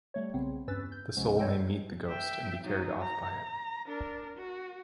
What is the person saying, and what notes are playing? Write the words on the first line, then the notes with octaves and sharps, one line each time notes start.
The soul may meet the ghost and be carried off by it.
G3 A3 C#5
B1 C#3 B3 C4
E2 G2 C#4 B4 E6 A6
G6
C#2 C3 F3 G#3 B3 C#4
C#5 D#5 G5 E6 G6
E5 G5
F#3 D#4
A#5
D4 A#4
F#4